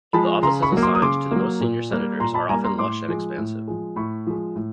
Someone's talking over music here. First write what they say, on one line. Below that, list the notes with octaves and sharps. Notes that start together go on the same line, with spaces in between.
The offices assigned to the most senior senators are often lush and expansive.
F3 G#3 A5 B5
C#3 A#5 C6
B5 C#6
F#3 A#3
C6 D6
D#6
C#3 C6 D6
F#3 A#3
A#2
G3 A#3
A#2 A#5 C6
A5 B5
G3 A#3 G#5 A#5
A#5 C6
A2 C6 D6
F3 G#3
A2
F3 G#3
A2 B5 C#6
F3 G#3
A2